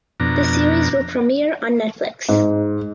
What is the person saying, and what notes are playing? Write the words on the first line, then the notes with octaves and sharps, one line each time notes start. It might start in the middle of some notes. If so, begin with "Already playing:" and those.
The series will premiere on Netflix.
F2 B2 D4 A#5
G#2